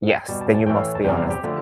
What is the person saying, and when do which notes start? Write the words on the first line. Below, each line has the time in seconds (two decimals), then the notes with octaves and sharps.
Yes, then you must be honest.
0.10 G5
0.29 B2 G3 A5
0.41 A5
0.54 A5
0.66 A2 E3 A3 G5
0.76 F5
0.95 A5
1.04 E2 G5
1.08 C3 G3
1.17 F5
1.30 G4
1.44 D3 F3 A3